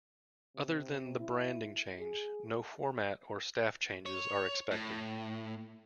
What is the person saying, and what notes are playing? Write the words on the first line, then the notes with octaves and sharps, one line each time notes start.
Other than the branding change, no format or staff changes are expected.
C3
E4
G#4
C#5
A2